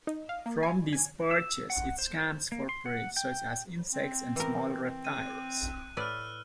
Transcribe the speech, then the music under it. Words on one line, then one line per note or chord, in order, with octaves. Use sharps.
From these perches it scans for prey, such as insects and small reptiles.
D#4
F5
A#3
G#5
G#5
E6
F#5
C5
A#3
C6
F#5
G5
C4
E3 A#4
C4
F#6 D#7
A2 B4 D5 E6 F6